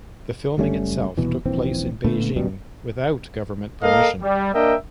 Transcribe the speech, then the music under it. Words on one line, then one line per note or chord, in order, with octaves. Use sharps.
The filming itself took place in Beijing, without government permission.
F#1 G3 A3 C#4
D#1 B2 E3
D#1 A#1 E3 C4
A#2 D3 A3 B3
D1 F#2 B2 G3
A#3 A4 A#4 D#5 F5
G3
A#3 D4 A#4 D#5 E5 G5